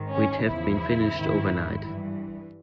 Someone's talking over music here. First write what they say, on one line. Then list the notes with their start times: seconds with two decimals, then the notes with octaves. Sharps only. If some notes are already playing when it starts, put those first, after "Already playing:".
We'd have been finished overnight.
Already playing: G#2 D#3
0.11 C#4
0.45 E2 C#3 F3 E4
1.13 G#2 D#3
1.80 G2 E3